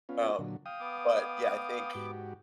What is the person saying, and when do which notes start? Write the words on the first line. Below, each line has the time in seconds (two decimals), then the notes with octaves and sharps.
um, but, yeah, I think,
0.09 B3 C#4 F4
0.39 A#2 D3 F#3
0.66 F5 G5 D#6
0.80 B3 D6
1.95 G#2 F#4 G4